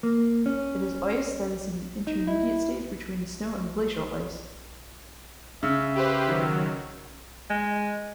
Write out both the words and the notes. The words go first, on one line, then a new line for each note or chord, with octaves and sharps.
It is ice that is at an intermediate stage between snow and glacial ice.
A#3
C#4
D#4
E4
C#3 E5
G4 B4 C5
D#3 F#3
G#3